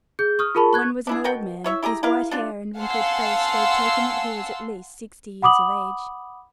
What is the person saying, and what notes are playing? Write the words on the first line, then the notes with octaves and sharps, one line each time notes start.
One was an old man, whose white hair and wrinkled face gave token that he was at least sixty years of age.
G#4 G6
C#6 D#6 F6
F4 G#4 A#4 A5 B5 C#6
C#6 F#6 G#6
D4 E4 G#4
B2 A#4 F#5 G5
E4 C#5 E5
E4 G4 G#4 A#5
E4 G4 A#4 F5
D4 F4 G4
F5 F#5 G#5 A5 C6 E6
F#5 B5 D6 D#6 F#7